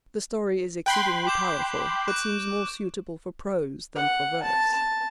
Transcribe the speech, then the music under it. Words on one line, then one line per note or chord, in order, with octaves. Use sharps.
The story is exceedingly powerful, but seems more suitable for prose than for verse.
G5 B5 C6 F#6 F#7
D6 G6 E7
C#6 F#6 D7
F#5
A5
A5